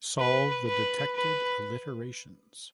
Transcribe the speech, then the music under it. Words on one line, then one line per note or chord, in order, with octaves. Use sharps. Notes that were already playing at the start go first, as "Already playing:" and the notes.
Solve the detected alterations.
B4
B4
B4